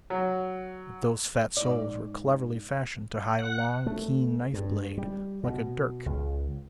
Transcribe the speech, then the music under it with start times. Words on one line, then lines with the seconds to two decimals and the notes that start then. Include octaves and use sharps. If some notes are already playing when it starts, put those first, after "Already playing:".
But those fat soles were cleverly fashioned to hide a long, keen knife-blade, like a dirk.
0.10 F#3
1.57 G#2 D5
3.39 F#5
3.86 A3
4.54 G2
4.98 G3
5.44 B2
6.06 C#2